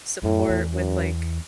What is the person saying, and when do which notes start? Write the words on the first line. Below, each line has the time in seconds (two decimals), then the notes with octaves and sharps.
support with, like
0.23 F#2 A2
0.49 E2
0.74 F#2